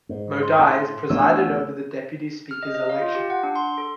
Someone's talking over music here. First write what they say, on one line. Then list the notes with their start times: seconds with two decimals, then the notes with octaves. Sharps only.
Modise presided over the Deputy Speaker’s election.
0.09 G#2
0.43 C6
0.59 A2
1.10 A1 A3 B3 D4 C#5 E6
2.51 F6
2.63 D#5
2.75 D#5
2.89 F5
3.02 F4
3.15 G4
3.30 F#5
3.43 D4
3.56 C6
3.78 A4